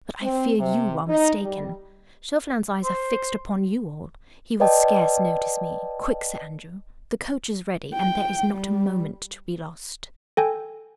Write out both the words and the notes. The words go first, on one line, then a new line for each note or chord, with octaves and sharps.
But I fear you are mistaken. Chauvelin's eyes are fixed upon you all, he will scarce notice me. Quick, Sir Andrew!--the coach is ready, and there is not a moment to be lost. . . .
C4
C3
D#4
G3
C5
B4 D5 D#5 G5 A5
G5
G3
A4 G5 G#5